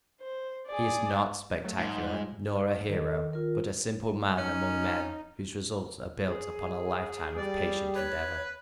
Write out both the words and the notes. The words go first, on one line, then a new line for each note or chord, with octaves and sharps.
He is not spectacular, nor a "hero," but a simple man among men, whose results are built upon a lifetime of patient endeavor.
C5
G#4 D5
F#3 A3
G#2 F3 G3 G#3
D#3 A4 D#5
F4 A#4
C#4 D#4
G#4
G3 D5
B4 C#5